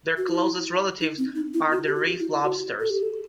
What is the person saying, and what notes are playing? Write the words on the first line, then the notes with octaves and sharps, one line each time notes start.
Their closest relatives are the reef lobsters.
F#4
E4
D#4
C4
D#4
E4
F#4
G4
F#4
E4
F#4
A4
G4
A4